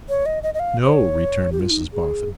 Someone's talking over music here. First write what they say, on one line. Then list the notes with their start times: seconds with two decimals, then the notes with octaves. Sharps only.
'No,' returned Mrs Boffin.
0.09 C#5
0.26 D#5
0.43 D#5
0.54 D#5
0.60 F5
0.85 C5
0.93 C#5
1.52 G4
1.60 F4
1.71 D#4
1.93 G#4